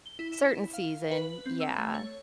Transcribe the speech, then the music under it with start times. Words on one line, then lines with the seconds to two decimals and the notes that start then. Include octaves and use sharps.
Certain season, yeah.
0.06 G7
0.19 E4
0.74 F5
1.11 B4
1.46 C4
1.60 E6
1.78 A3
1.94 C#5